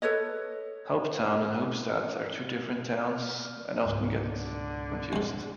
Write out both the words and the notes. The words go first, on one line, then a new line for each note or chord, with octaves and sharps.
Hopetown and Hoopstad are two different towns and often get confused.
A4 B4 C#5 D#5
D5 F6
C#2 G#2 B2
D3
F2 G#2